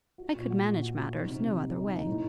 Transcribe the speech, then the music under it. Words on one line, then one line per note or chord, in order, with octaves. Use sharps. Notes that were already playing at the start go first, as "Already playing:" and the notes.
I could manage matters no other way.'
F#4
A#2
F#4
A#2
F#4
F#4
D#4
C3
C3
D#4
D#4
D#4
A2